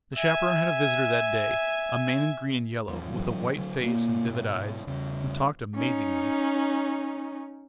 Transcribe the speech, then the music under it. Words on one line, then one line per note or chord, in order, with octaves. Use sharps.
The chaperone had a visitor that day, a man in green and yellow, with a white face and vivid eyes, who talked amazingly.
E5 G#5
E2 G#2 F3
G#2 D3 E3 F#3
D3 F#3
B2 A#3
G#2 B2
E2 C#3
C#4 D#4